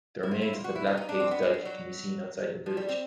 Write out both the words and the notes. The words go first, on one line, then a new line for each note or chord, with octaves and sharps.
The remains of the Black Pig's Dyke can be seen outside the village.
E4
F4
E4
F4
F#4
E4
D#4
D#4
D4
C4
B3
G#3
G3
F#3
F3
G3
C4